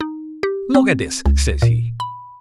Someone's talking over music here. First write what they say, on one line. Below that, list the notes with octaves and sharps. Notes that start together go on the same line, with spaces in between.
Look at this, says he.
D#4
G4
C4
C#2
A#2
B5